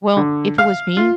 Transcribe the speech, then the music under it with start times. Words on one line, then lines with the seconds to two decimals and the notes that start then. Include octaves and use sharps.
Well, if it was me,
0.17 D3
0.58 F5
0.97 F4